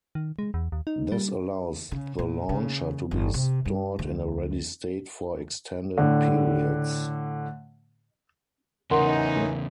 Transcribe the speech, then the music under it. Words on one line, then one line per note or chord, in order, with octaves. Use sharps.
This allows the launcher to be stored in a ready state for extended periods.
D#3
G#3
E2
D#2
D#4
G3
C#3
A#2
C#3
G1
C3
G2
D2
A2 D3
E2 C#3 E3 C#4 D#4 A#4 F#5 C6